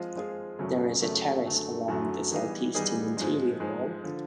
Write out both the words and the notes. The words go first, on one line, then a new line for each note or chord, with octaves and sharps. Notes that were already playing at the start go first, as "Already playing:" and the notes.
There is a terrace along the southeastern interior wall.
Already playing: F3 G#3 C4 F4 G#4
F3 G#3 C4 F4 G#4
F#2 C#3 F#3 A3 C#4
F#2 C#3 F#3 A3 C#4
F#2 D3 F#3 A3
F#2 D3 F#3 A3
E3 G3 B3 D#4 G#4
E3 G3 B3 D#4 G#4
G#2 F3 G#3
G#2 F3 G#3
D3 F3